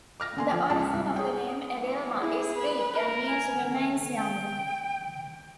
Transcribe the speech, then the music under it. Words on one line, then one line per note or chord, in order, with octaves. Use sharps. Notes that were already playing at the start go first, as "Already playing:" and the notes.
The origin of the name Edilma is Greek and means "Remains Young".
D6 F6 A#6
D3 G#5 C6
F3
C#2 A5
C2
G#4 C#5 G5
E3
E4 G#4
B4
A#4
G#5
A3
G5